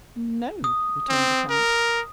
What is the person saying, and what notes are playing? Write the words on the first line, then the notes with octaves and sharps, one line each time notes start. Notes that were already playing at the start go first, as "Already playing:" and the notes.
"No," returned the count.
D#6
C4
A#4